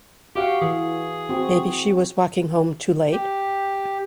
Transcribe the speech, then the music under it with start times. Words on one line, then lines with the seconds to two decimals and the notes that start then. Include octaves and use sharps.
Maybe she was walking home too late?
0.36 F#4 G4 F5 F#5
0.62 E3 G#4
1.29 C4 F#4
3.12 G4